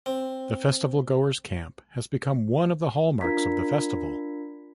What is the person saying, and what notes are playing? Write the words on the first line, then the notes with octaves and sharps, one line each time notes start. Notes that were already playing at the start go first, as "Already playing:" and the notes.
The festivalgoers' camp has become one of the hallmarks of the festival.
C4
D4 F4 A#4 A#5 G#6 B6